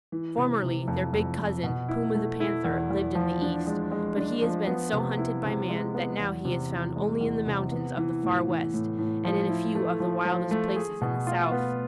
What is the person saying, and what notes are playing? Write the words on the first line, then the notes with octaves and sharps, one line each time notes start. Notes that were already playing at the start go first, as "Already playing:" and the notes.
Formerly, their big cousin, Puma the Panther, lived in the East, but he has been so hunted by man that now he is found only in the mountains of the Far West and in a few of the wildest places in the South.
E3
C3
C3
F2
F2
F2
B2
E4
A3
E4
E2
E2
F3
D4
G#3
G#3
D4
F3
B3
C3
E4
C3
G#3
B3
E2
C3
E2
G#3
E2
C3
B3
E3
A2
E3
A2
A2
F3
E4
A3
F3
F3
A3
G#4
B2
F4
B3